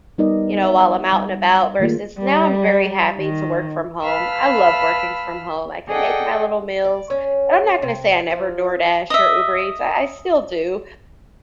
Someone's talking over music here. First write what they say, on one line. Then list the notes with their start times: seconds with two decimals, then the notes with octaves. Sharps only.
you know, while I'm out and about, versus, now I'm very happy to work from home. I love working from home, I can make my little meals, and I'm not gonna say I never DoorDash or Uber Eats, I I still do,
0.18 G3 B3 D#4 A#4 D5 D#5
0.64 E5
1.13 G3
1.80 D#3 A3 A#3 F4 G#4
2.18 G3
3.19 D#3
4.04 B4 F5 A5 B5 E6 F6
5.88 G#4 A4 D5 D#5 F#5 G5
6.84 D5
7.10 C#4
7.82 C3
8.31 F3
9.10 D#5 E5